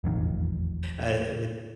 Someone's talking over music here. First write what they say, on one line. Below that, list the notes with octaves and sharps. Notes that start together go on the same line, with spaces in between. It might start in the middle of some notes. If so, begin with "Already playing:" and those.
uh, with
E1 A1 F2 D#3